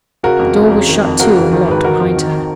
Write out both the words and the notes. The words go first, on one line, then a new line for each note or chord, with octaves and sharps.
The door was shut to and locked behind her.
C#3 F#4 A#4
F2
C#3
F2
D#3
F2
C#3 F#4 A#4
F2
D#3
G#2 B4
D#3 F#4 A#4
F2
D#3